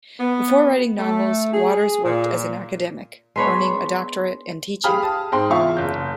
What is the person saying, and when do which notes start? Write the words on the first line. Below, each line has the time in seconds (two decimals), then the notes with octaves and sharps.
Before writing novels, Waters worked as an academic, earning a doctorate and teaching.
0.19 B3
0.98 A3
1.53 G#4
2.04 A#2
3.36 G#3 B3 D4 C#5 B5 C6
4.84 G4 G#4 F5 B5 D#6 F6
5.02 A5 D#6
5.32 G#2 C4 C5 G5 C6
5.50 E2 E4 F4 E5 F5 C#6
5.77 F#1 G6